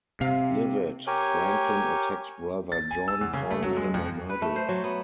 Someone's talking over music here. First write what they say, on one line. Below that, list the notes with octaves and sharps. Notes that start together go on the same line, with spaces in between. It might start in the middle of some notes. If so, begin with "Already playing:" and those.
Livid, Franklin attacks Brother John, calling him a murderer.
C3 F5
G4 A#4 C#5 G#5
A6
G#5
E6
E2
C#3
A3
F#3
G#3
F2
B4
A3
C5
F#3
B3